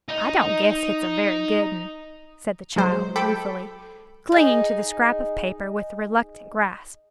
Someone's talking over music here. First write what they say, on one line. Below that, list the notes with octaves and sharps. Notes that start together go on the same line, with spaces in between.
"I don't guess hit's a very good'n," said the child, ruefully, clinging to the scrap of paper with reluctant grasp.
D#4 D#5
F#3 G#3 C5
A4 G5 B5 D6
D#4 G#4